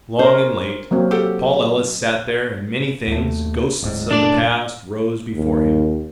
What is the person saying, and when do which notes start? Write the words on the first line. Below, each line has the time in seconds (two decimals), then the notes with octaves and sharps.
Long and late, Paul Ellis sat there and many things, ghosts of the past, rose before him.
0.19 C#4 A#4 C5
0.91 F#3 A#3 C4
1.11 G4 A4 F#5
3.07 D#2 A3
3.83 D1 G#2
4.11 F#1 A#2 A3 D4 D5
5.35 D#2